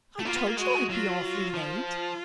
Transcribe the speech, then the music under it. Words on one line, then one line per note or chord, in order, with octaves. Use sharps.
"I told you I'd be awfully late."
A3
A#3 F4
B3
A#3
G#3 F#4
F#3 F4
F3
F4